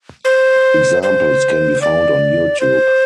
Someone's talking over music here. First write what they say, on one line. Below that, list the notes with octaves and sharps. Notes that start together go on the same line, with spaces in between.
Examples can be found on YouTube.
C5
C5
D5
C5